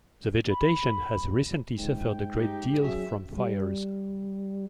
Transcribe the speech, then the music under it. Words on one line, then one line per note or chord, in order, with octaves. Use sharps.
The vegetation has recently suffered a great deal from fires.
B5
G#2 G5
D#4 G4
F#3 C#4 G#4 E5
G3